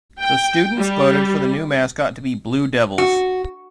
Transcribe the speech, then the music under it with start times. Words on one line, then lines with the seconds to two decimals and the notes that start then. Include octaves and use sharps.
The students voted for the new mascot to be "Blue Devils".
0.20 G5
0.79 G3
2.98 F#4